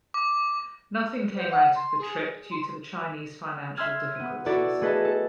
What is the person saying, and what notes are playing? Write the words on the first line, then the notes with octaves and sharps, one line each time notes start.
Nothing came out of the trip due to the Chinese financial difficulties.
D6
C5
F#5
C6
G#4
G#4
C6
E5 C6 E6 F6 G#6
B3 D#7
E4 F#4 A4 D5
A3 G#4 B4 D#5 A5
A4